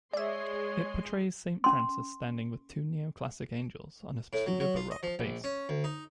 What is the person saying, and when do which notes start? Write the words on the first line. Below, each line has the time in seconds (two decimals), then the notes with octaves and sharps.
It portrays Saint Francis standing with two neoclassic angels, on a pseudo-baroque base.
0.14 G#3 G#4 C#5 D5 E5 C6
1.64 C#4 C6
4.33 A2
4.46 F#3
4.60 F#3
4.76 F4
4.91 D#5
5.03 F3
5.19 A#1
5.44 C#4
5.69 D2
5.84 D#4